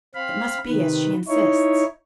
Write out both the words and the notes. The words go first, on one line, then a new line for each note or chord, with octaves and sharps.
It must be as she insists.
C4 F5 B5
C3 D#3 B4
D#4 E4 C#5